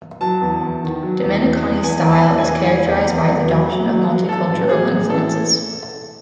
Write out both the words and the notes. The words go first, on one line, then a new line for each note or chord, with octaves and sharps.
Domeniconi's style is characterized by his adoption of multicultural influences.
F#3 A5
E2
E2
D#3
F#3
E2
E2
E2
E2 G#5
E3
A5
E1
G#5
E3
E1 G#5
E2
E2
E1
F#3
F#3
F#3
F#3
F#3 A4
A1
F#3 G#4
A1
E3 A4